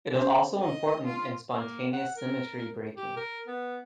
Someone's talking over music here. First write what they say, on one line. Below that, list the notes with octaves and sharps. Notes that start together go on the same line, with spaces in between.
It is also important in spontaneous symmetry breaking.
C#3 C4 C5
D#5
F4
A#3
F#5
A#4
G4
A#4
B3